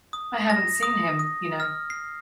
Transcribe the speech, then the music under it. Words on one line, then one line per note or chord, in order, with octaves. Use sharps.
I haven't seen him, you know.
D#6
A#6
D#6
D#6
F6
C7